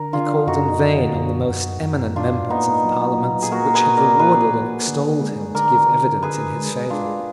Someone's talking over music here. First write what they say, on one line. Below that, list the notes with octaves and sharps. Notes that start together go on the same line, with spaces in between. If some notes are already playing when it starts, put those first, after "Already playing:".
He called in vain on the most eminent members of the Parliaments which had rewarded and extolled him to give evidence in his favour.
Already playing: D3 A#4
D4 F4 G#4
F#2 D#4 F#4
D3
F#2
F#2
F#2
A#2 D4 F4
A#3 B3 D#4
F#3
A#2
G#4
A#3 F#4 A#4
G#4 B4
A#2
A#4 D5
A#3 G#4 B4
A#3
D3
G#3
D3 A#4 D5
D3
D3 G#4 B4
G#3
G#3 D4 F4